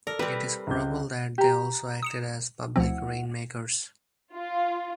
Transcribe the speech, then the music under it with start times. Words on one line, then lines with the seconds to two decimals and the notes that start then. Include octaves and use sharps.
It is probable that they also acted as public rain-makers.
0.07 A4 A#4 D5
0.19 G3 C4 B4
0.67 C#2 G6
1.38 G4 A#5
2.02 D#6 C#7 E7
2.76 D2 F3 C4 E4 F#5
4.35 F4